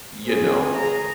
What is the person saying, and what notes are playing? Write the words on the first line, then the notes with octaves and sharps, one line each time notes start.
you know,
C4 G#4
G#4 A#5